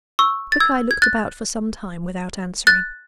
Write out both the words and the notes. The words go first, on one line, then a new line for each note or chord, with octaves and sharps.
Quickeye looked about for some time without answering.
C#6 E6
A6
E6 G#6
G#6
F#6 A6
F#6 A6